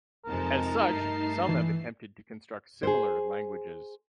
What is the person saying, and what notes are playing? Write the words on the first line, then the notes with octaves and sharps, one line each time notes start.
As such, some have attempted to construct similar languages.
F2 C3 G#3 D#4 A#4 A5
G2 A3 C7
E3
G#4 C5